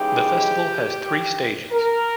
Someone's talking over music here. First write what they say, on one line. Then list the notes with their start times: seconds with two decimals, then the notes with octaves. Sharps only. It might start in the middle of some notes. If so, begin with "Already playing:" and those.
The festival has three stages.
Already playing: C#3 E3 G#3 D#4 G4
1.72 A#4